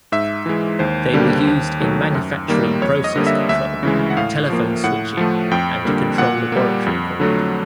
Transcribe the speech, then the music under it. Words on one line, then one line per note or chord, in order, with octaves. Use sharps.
They were used in manufacturing process control, telephone switching and to control laboratory equipment.
G#2 E5
E3 G#3
D#2 C5
D3 G3 A#3
D#2
D#3 F#3 A3
F#2
D#3 G3 A#3
F2 C#5
D#5
D3 G3 A#3
E5
D2 E5
C#3 E3 G#3
F#5
A2 F5
F3 A#3
A2 F#5
F3 A3
F2 G5
D3 G3 A#3
A#2 F#5
G3 A#3
F2
D3 F#3 A3